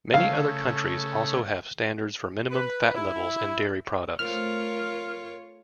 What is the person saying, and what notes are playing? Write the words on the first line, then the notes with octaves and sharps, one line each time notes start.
Many other countries also have standards for minimum fat levels in dairy products.
C#3 A3 F5
B4
E4
A3 C4 F4 A#4 C#5 F6